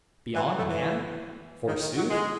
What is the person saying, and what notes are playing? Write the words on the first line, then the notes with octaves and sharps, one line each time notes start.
Beyond man, forsooth?
E3
F#3
A3
E3
D#3
D#3
F#3
G#3